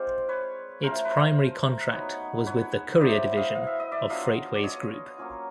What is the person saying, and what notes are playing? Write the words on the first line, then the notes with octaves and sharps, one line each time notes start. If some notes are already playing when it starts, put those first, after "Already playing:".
Its primary contract was with the courier division of Freightways Group.
Already playing: G#3 C4 F4 C5 D5
B4 C#5
A3 C#4 F4 A#4 C5
B4
A#4 C5
F#3 B3 D#4 B4 C#5
B4 C#5
D#5
F#3 B3 E4 C5 D5
D#5 F5
F5
E5
D#5
D5 E5
F#3 B3 D4 F4 D#5 F5
D5
C#5 D#5
F#3 A#3 C#4 F4